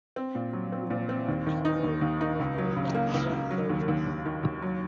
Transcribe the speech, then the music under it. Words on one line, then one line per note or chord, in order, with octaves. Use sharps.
She won an award for her ambulance service.
C4
A#2
F#3
C4
A#2
C4
D#2
D#3
D#4
D#2
D#2
D#4
C#2
F#3
C#3
A#3
C#2
C#2
F#3
D#2
D#2
D#2
D#3
D#2
F#3